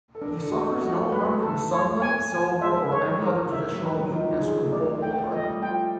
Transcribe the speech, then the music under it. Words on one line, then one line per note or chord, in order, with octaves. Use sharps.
He suffers no harm from sunlight, silver, or any other traditional weakness from folklore.
A4
D4 A#4
A4
F#4
D#4
A3 F#4
G3
F#3 B4
F#3
A3 A4
C#5
G#5
G#5
G#3 E5
C#5
A#4
E5
F#3
G3 B4
F#3
F3 D#4
F3
E3
F3 G#4
A#3
A3
D5
A#3
A3 G5
F3
D#5
G3
F3 G5